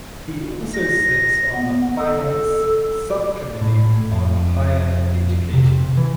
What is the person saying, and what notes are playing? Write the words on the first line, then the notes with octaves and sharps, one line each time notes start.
He also sits on the Finance Subcommittee on Higher Education.
A#6
B3
A4
A2
F2
C3
E3